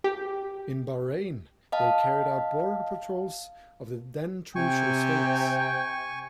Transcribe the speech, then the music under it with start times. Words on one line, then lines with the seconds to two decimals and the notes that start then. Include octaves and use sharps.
In Bahrain, they carried out border patrols of the then Trucial States.
0.04 G4
1.72 D#5 F5 A5
4.56 C3 G5 G#5 C#6